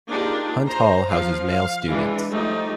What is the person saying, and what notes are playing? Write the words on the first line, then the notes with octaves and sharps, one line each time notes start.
Hunt Hall houses male students.
A#3 D4 D#4 F4 G4 G#4
C5 A#5
F3 F5
F5
E3 G#3 D4
F3 G3 A3 D#4 G4